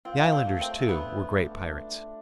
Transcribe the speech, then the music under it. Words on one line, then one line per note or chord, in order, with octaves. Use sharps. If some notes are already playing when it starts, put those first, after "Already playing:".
The islanders, too, were great pirates.
C4 F4
D4
C4
A3
C4
B3 D4
A3
D4